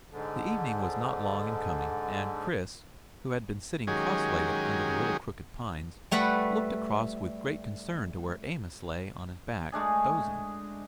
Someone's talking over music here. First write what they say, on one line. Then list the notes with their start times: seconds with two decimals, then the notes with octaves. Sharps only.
The evening was not long in coming, and Chris, who had been sitting cross-legged under the little crooked pines, looked across with great concern to where Amos lay on his back, dozing.
0.10 G#2 D3
3.87 D#3 F#3 G#3 C#4 G4 G#4
6.11 G3 A3 B4 F#5 B5
9.72 G#3 A3 D4 G#4